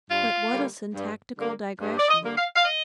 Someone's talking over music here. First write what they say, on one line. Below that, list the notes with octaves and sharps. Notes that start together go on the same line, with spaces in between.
But what a syntactical digression!
G2 F4
D3 G3 A#3
G2
D3 G3 A#3
G2
D5
D#5
D3 G3 A#3
F5
F5
D#5